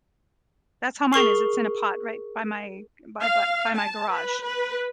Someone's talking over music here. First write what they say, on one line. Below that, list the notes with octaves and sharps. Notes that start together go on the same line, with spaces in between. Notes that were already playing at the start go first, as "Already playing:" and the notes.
That's how mine is, it's in a pot right by my by by my garage,
G#4 A#4 C#6 C7
F5
A5
B4
B4